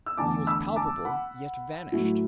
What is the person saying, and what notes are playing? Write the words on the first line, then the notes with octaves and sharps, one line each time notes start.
He was palpable, yet vanished.
E6
E2 D3 A3 D4 A5 D6
B5 E6
A5 D6
F#5 B5
A2 F#3 A3 E4